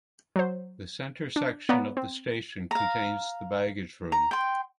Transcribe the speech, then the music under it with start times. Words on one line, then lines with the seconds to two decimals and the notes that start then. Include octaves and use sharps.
The center section of the station contains the baggage room.
0.36 F#3 C5
1.36 D4
1.69 B3 C#5 D5 F5 A#5
1.97 C4
2.71 F5 A#5
4.12 A#5
4.31 G5 C6